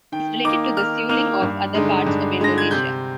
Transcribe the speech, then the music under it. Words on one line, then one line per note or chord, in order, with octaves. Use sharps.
It is related to the suling of other parts of Indonesia.
D#3 G5
A#3 D#4 D6
D#3 F6
A#3 D#4 F6
G2
D3 G#3 D#4
G2
D3 G#3 D#4 A#6
G#6
C3 G6